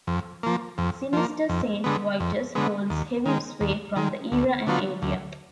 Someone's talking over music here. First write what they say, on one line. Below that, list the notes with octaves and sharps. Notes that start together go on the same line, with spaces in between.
Zinester Saint Vitus holds heavy sway from the era and area.
F2
F3 A#3
F2
F3 A#3
F2
D3 G#3 B3
F2
D3 G#3 B3
D#2
D#3 G#3
D#2
D#3 G#3
D2
D3 F#3 B3 F4
D2